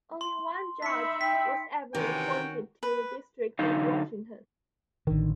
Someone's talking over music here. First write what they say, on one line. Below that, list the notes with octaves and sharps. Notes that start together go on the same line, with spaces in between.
Only one judge was ever appointed to the District of Washington.
C6
D#4 E5 B5 B6 C#7
G5 B6
C3 D#3 E3 C#4 F#4 G5
B4
D3 F#3 D#4 F5
A1 D3 D#3